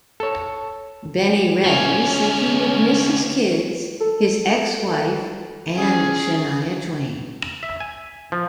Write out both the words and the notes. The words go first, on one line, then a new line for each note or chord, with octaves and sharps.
Benny Ray said he would miss his kids, his ex-wife and Shania Twain.
A4 C#5
D2 C#4
A4
C#4 G#4
E5
G#5
F3